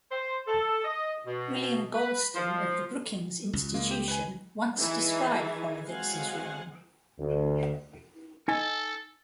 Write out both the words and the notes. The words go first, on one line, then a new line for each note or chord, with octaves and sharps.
William Galston of the Brookings Institution once described Horowitz's role.
C5
A4
D#5
B2
B4
F3
C#2
G#3 A#3
G4
B4 G#5
E3 D#4 E4 G#4 G#5
F#3 G#3 C4 F5 F#5 G#5
D2
D#4 A4 G#5